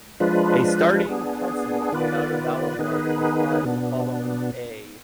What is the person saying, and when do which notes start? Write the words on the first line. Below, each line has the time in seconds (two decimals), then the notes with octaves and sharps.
A starting consonant without a vowel mark implies a following "a".
0.20 F3 G#3 D4 F4 B4
1.07 B3 D4 G#4
1.93 D#3 B3 F4 B4 D5
2.79 D#3 B3 D#4 G#4 B4
3.65 B2 B3 D4